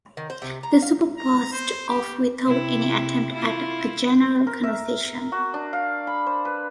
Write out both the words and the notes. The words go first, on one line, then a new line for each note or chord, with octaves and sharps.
The supper passed off without any attempt at a general conversation.
D#3
C5
C3
A#5
F5
A#5
C5
G4
C3 E4
E4 F4
A#4
E5
F#4
D4
F5
B5
C5
B4